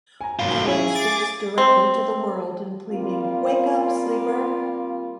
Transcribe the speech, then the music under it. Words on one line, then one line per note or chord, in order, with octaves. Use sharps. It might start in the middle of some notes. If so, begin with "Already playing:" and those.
Allan speaks directly to the world in pleading Wake up, sleeper!
G#5 A#5
G#1 F#2 B2 F4 B5
C#4 E4 F4 G#4 C#5 E5
D6 A6
C4
G3 A#3 C4 F4